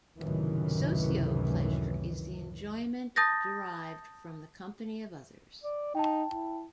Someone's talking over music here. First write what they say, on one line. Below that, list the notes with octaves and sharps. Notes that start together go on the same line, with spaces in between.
Socio-pleasure is the enjoyment derived from the company of others.
C#2 F#2 A2 C3 D#3 E3
A5 D#6 G6 A6 A#6
D5
D#4 G5 A5
E4